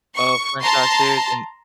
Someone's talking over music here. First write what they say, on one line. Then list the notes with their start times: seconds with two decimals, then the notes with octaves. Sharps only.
uh, franchise series, and
0.15 C#6
0.60 A5 A#5 C6